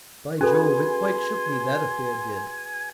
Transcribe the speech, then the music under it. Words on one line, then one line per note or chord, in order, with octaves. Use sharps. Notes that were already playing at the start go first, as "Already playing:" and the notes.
By Jove! it quite shook me, that affair did.
C#4 F#4 G#4 A4 B4 G#5 C6